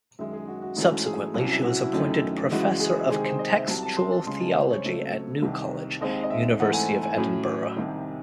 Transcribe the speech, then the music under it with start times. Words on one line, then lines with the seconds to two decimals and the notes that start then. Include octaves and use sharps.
Subsequently, she was appointed Professor of Contextual Theology at New College, University of Edinburgh.
0.19 F#2 D#3 G#3 E5
0.33 G#4
0.48 F#4
0.62 F#4
0.76 G#2 E3 A3 C#4 F#4
1.06 G#4
1.34 C2 C3 F#3 C#4 E4
1.50 E4
1.64 F#4
1.79 E4
1.93 F#2 D#3 A3 C#4
2.51 C#2 C#3 E3 G#3 F#4
2.80 G#4
3.09 C3 D#3 G#3 C4 G#4
3.25 C5
3.39 D#5
3.54 E5
3.68 C2 C3 F#3 A5
3.82 A5
3.97 C6
4.12 A5
4.26 C#2 C#3 G#3 C#4 C6
4.41 A5
4.55 C5
4.71 C#5
4.85 C#2 C#3 F#3 A3 C4
5.42 C2 C3 D#3
6.01 D#2 D#3 G#3 C4 D#5
6.23 D#5
6.30 E5
6.59 G#2 E3 A3 C4 F#5
6.73 G#5
7.03 G#5
7.18 A2 F#3 C#4
7.76 C2 C3 D#3